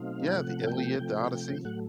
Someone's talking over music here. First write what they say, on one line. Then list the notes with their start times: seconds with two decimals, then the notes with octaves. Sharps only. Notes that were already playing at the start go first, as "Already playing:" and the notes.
Yeah, the Iliad, the Odyssey.
Already playing: B2 F#3 A3 C4 D#4 F5
0.35 C3 F3 A3 F#5
0.67 G5
0.99 C3 F3 A3 G5
1.65 A2 F#3 A3 F#5